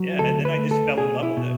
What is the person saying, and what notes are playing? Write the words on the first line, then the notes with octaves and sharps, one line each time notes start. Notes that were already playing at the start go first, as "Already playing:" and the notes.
Yeah, and then I just fell in love with it.
Already playing: F#3
D2 A4
B4
A3
A4
B2 G#4
E4
B2